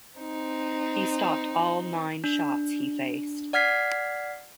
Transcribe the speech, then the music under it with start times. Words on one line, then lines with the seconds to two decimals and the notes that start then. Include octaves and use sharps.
He stopped all nine shots he faced.
0.19 C4 D#4
2.24 D4
3.53 D5 F#5 F6 G#6 B6 C7